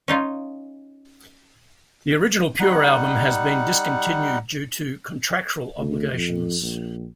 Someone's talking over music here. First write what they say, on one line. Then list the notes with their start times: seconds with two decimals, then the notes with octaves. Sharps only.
The original "Pure" album has been discontinued due to contractual obligations.
0.08 C#4 D#4 F4
2.60 G3 D#4 F#5
5.78 D2
6.13 F2
6.62 A#1